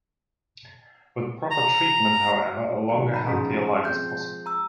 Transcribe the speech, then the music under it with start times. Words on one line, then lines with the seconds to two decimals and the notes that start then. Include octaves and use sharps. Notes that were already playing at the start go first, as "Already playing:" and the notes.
With proper treatment, however, a longer, healthier life is possible.
1.51 A#5
2.90 D#3 F#3 A#4 C#7
3.14 A#5 B5
3.28 G#2 F3 C#4 B6
3.85 F3 G#3 C4 G6
4.10 G6
4.46 A#5 E6